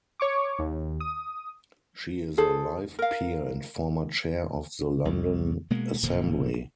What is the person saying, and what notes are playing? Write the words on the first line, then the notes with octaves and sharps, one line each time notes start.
She is a Life Peer and former chair of the London Assembly.
C#5 C#6 D6
D#2
D#6
G#4 A4 C5
A#4 F5
C2
B2 G#3 A#3 B3
E1 A#2 D3 F3